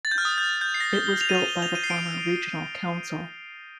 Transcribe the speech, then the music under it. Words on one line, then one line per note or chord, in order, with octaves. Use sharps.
It was built by the former Regional Council.
A6
G6
F6
D#6
G6
F6
G6
C7
A#6
G7
G7
F7
D#7
F7
G7
F7
D#7
C7
D7